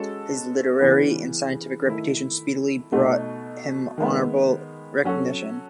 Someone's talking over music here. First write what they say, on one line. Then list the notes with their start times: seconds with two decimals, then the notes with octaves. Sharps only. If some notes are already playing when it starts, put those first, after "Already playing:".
His literary and scientific reputation speedily brought him honorable recognition.
Already playing: G#3 C#4 F#4 A4
0.80 C#3 E3 B3
1.86 D#3 A3 E4
2.92 B2 A3 D#4 F#4
3.98 D#3 G#3 B3
5.04 F#3 C#4 F#4 A4